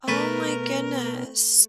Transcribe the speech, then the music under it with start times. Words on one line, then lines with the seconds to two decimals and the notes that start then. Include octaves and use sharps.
Oh my goodness.
0.08 B2 A3 B3 A#4 B4